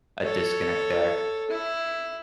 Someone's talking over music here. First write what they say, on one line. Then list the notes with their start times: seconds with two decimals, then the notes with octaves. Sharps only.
a disconnect there.
0.23 A4 C#5
1.50 E4